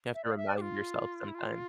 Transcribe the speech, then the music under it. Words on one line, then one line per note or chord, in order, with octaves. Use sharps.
You have to remind yourself sometime.
E5
D5
F5
E5
D5
G4
F4
E4
F4